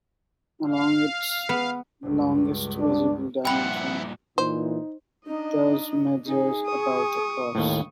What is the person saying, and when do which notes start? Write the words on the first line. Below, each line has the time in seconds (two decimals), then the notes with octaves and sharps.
Along its longest visible dimension, it thus measures about across.
0.67 F5
1.49 B3
2.04 C#2 G2
2.81 D4
3.45 G2 A#2 F3 E4 F#5 G5 B5
4.38 A#2 E3 D#4 C5
5.27 D4 D#4 D#5
6.26 D#4 G#4
6.66 C#6 D#6
7.55 D#2 A2